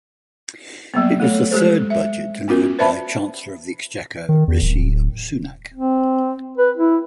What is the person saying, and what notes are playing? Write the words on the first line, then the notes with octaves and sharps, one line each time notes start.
It was the third budget delivered by Chancellor of the Exchequer Rishi Sunak.
F#3 G3 A#3 B3
A3 A4 C#5
G#3 G4 A4 C5
E5
B3 C#4 F4 F#4 A#4
B4 C5 D5 E5 A5 B5
D#3
E2
D1
C4
B4
E4